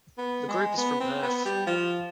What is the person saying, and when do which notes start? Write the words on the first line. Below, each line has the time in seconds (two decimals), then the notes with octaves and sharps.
The group is from Perth.
0.18 B3
0.48 G#3
0.77 B3
1.00 C4
1.22 B3
1.45 G3
1.67 F3